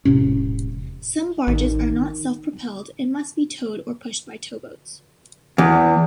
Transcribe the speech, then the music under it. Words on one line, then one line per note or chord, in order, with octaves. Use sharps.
Some barges are not self-propelled and must be towed or pushed by towboats.
E1 A2 C3 C#4
A1 D#3
E2